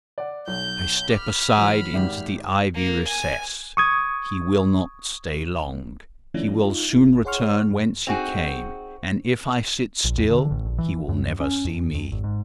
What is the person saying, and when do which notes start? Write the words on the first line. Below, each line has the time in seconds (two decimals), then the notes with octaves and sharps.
I step aside into the ivy recess; he will not stay long: he will soon return whence he came, and if I sit still he will never see me.
0.18 D5 F#5
0.48 B1 G6
1.10 B5 D6 F6
1.57 E3 F#3
1.94 G#1 G4 E5
2.74 A#3
3.08 G#5
3.77 C#6 D#6 G#6
6.34 D#3 F3 A3 C#4 D4 E4
6.59 D#4 F4
6.92 G1 E4
7.25 G#4 C#5 F#5 C6 C#6 F6
7.71 F#2
8.07 C4 D#4 F#4 G#4
10.04 A#1
10.17 E2
10.29 D3
10.51 A1
10.66 A#1
10.78 E3
11.09 F#2
11.40 C#4
11.65 F2
11.95 F2
12.12 G#1
12.24 G#2